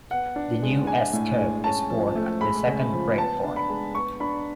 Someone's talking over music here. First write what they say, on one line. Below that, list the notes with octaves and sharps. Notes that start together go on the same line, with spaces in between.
A new S-curve is born at the second breakpoint.
B3 F#5
D4
G#3
D4 G#5
A2
G#3
C#4 A5
F3
A3
G#3 B5
C#3
F3
B3 A5
D4
B5
G#3
B3 C#6
D4 B5